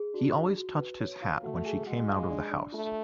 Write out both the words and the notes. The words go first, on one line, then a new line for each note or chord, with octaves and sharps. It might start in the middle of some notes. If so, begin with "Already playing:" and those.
He always touched his hat when she came out of the house.
Already playing: G#4
D4 F#4
F4
F#4
B4
C#5
F4 F5
A3 F#4 F#5
G#4 G#5
G#3 F#4 F#5
F4 F5
D4 D5
D4 D5
A3 F4